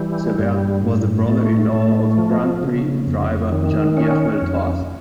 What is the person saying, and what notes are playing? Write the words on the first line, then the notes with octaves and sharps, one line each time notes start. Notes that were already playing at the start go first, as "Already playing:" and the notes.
Cevert was the brother-in-law of Grand Prix driver Jean-Pierre Beltoise.
Already playing: E3 G3
G2
A2
A3
A2
F3
C#3
F2
D#3
C#4
F2